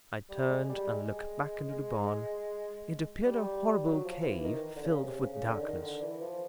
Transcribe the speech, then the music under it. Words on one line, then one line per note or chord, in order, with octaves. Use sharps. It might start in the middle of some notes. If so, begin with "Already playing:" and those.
I turned and looked back into the barn. It appeared a horrible cave filled with darkness.
G3
G#3
G3
G#3
G3
F#3
F3
E3
D#3
D3
C#3
C3
C#3
C#3
D3
D#3
D3
E3
F3